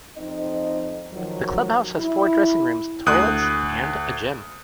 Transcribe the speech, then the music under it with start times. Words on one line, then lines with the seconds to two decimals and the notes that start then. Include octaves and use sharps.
The clubhouse has four dressing rooms, toilets and a gym.
0.17 F2 C4 D#4 D#5
1.12 D#3 F3 F#3
1.97 E4
3.06 D2 D#6 F#6